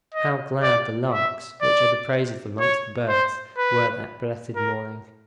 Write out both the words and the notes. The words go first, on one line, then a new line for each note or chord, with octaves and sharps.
How glad the larks, which are the praisers amongst the birds, were that blessed morning!
D#5
D5
E5
D5
C#5
C5
B4
A#4